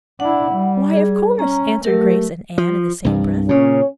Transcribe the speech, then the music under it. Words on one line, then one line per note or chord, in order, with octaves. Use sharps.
"Why, of course," answered Grace and Anne in the same breath.
D4 E4 F#5
G3
G#4
C#4 A#5
F#3 A3 G4 A#4
F3
C2 G2
A#2 C#3 C#4